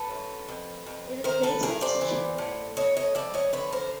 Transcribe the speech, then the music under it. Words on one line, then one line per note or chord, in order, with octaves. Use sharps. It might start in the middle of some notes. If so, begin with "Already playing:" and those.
It is native to China and Taiwan.
Already playing: A4 B4
F#2
F2
F2
D#3 A#4 C5
A4 B4
G2 G#4 A#4
C5 D5
E3
A2
F2 C#5 D#5
C#5 D#5
F2 D5 E5
C#5 D#5
D3 B4 C#5
A#4 C5